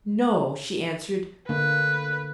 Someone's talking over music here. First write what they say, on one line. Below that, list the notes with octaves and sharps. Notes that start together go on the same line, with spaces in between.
"No," she answered.
D3 A#3 B4